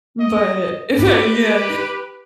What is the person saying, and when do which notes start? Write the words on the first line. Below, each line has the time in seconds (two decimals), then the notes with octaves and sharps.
but if I Yeah.
0.20 D#5
0.99 G4 B4 D6